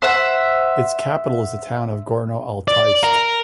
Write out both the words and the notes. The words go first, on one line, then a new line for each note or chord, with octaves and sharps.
Its capital is the town of Gorno-Altaysk.
C5 E5 F#5
D5
A#4